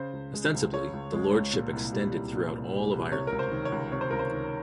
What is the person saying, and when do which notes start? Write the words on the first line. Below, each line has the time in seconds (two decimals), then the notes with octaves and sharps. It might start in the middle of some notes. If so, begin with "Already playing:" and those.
Ostensibly, the lordship extended throughout all of Ireland.
Already playing: C#3 C5
0.13 C#2
0.33 G#3
0.53 C#2
0.73 C#3 C#5
0.93 C#2
1.13 G#3
1.33 C#2
1.53 A#2
1.73 C2
1.93 G3
2.13 C2
2.33 A#2
2.52 C2
2.73 G3
2.92 C2
3.12 C3 C#5
3.27 C#2 A#4
3.39 C5
3.52 D#3
3.65 C#5
3.72 C#2
3.92 C3 C#5
4.01 C5
4.11 C#2 A#4
4.19 C5
4.32 D#3